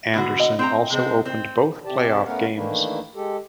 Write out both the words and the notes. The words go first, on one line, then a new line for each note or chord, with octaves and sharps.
Anderson also opened both playoff games.
B2 D3 F#4
D#5
C4 G5 A#5
C3 G#3 C4
C4
C3 G4 D5 A5
A3 B3 C#4 A#4 F5 F#5
D#3 E3 A3 A#3 D4 E4
G#3 G4 A4